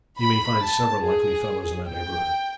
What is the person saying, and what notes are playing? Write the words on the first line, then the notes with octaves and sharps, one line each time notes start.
You may find several likely fellows in that neighbourhood.'
B5
A5
G#4
G5